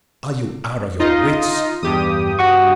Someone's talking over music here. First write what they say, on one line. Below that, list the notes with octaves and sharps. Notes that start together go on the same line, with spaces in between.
Are you out of your wits?
D#4 F4 D#5
E2 G2 G4 D#6
F#4 F#5 C#6